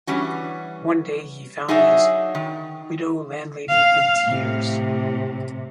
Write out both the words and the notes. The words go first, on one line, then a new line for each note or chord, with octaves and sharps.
One day he found his widow-landlady in tears.
E3 G3 C#4 F#4
F#3 D#4 G#4 D5 E5
D#3
F5
A2 C3